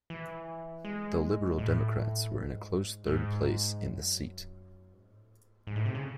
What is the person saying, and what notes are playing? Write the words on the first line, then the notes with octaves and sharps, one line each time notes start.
The Liberal Democrats were in a close third place in the seat.
E3
G#3
A2
G#2
G#2
F#2
G#2
A2
G#2
G#2
A2
C3
C#3